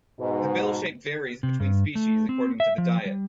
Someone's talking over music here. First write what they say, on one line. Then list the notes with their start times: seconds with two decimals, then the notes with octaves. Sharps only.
The bill shape varies between species, according to the diet.
0.20 G#2 B2
1.43 C3
1.60 G2
1.95 A3
2.29 C4
2.60 E5
2.78 F3
3.06 G3